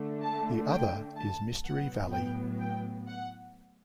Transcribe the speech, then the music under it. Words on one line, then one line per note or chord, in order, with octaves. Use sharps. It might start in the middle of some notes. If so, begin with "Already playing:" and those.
The other is Mystery Valley.
Already playing: D3 A3
A5
G5
A5
A2 F#3 B3 F#5
G5
G5
F#5